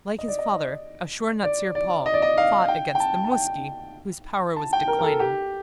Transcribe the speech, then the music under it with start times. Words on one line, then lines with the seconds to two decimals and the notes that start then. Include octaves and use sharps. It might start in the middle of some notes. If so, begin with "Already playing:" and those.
Like his father, Ashur-natsir-pal fought against the Muski, whose power was declining.
0.18 D#5
0.28 D5
0.39 D#5
1.44 D5
1.75 D5
2.06 D#5
2.14 D5
2.22 D#5
2.37 F5
2.68 G5
2.95 G5
3.00 A5
3.24 A5
3.32 G5
4.56 A5
4.73 G5
4.88 A#4
4.99 A#4
5.03 A4
5.20 G4